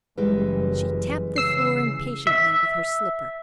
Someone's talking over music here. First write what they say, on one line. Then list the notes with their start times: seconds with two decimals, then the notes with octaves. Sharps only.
She tapped the floor impatiently with her slipper.
0.18 F#1 E3 G3 G#3 B4
1.36 C#3 E6 C7
2.27 E5